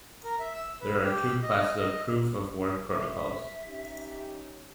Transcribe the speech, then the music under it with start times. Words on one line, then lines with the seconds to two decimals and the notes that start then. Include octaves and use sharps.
There are two classes of proof-of-work protocols.
0.24 A#4
0.40 E5
0.54 E6
0.81 B4
1.04 G4
1.43 D#5
1.78 D#5
2.91 E5
3.66 C#4 D#4 G4